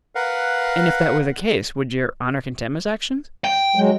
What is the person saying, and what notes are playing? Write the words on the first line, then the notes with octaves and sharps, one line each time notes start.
"And if that were the case would your honor condemn his action?"
A#4 B4 F5 F#5
G5
F#3 G#3